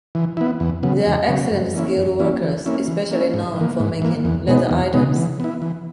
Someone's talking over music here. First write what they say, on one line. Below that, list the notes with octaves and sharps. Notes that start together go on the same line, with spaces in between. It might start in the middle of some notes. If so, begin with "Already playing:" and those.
They are excellent skilled workers, especially known for making leather items.
E3
B3 E4
E2
C#3 F#3 B3
E2
C#3 F#3 B3
F#2
E3 A#3 C#4 E4
F#2
E3 A#3 C#4 E4
E3
A#3 C#4 E4
E3
A#3 C#4 E4
G#2
E3 A#3
G#2
E3 A#3
E2
B2 G#3 B3 D#4
E2
B2 G#3 B3 D#4
E3
B3 E4
E3